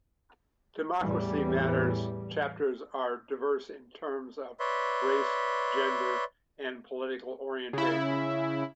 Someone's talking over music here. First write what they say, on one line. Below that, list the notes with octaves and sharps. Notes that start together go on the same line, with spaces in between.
Democracy Matters chapters are diverse in terms of race, gender, and political orientation.
E2 A2 E3 G3
B4 C#5 D5 E5 C6
C#3 E4